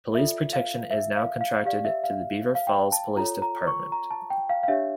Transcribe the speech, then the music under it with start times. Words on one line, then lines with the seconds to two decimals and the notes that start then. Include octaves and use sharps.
Police protection is now contracted to the Beaver Falls Police Department.
0.15 F4 A4 D5 E5
0.53 F5
0.91 E5
1.16 F5
1.41 F5
1.65 G4 D5 F5
1.85 E5
2.04 F5
2.55 F5
2.67 G5
2.92 A5
3.17 F4 A4 C#5 A#5
3.42 A#5
3.67 C#6
3.92 A#5
4.11 A5
4.30 G5
4.49 F5
4.63 F5
4.68 D4 G4 C#5 E5